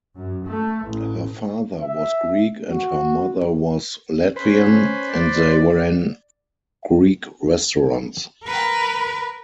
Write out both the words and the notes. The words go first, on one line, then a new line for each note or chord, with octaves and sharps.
Her father was Greek and her mother was Latvian, and they ran Greek restaurants.
F#2
A3
A1
E5
F#4
C#4 B4 C5
D5
A#4 B4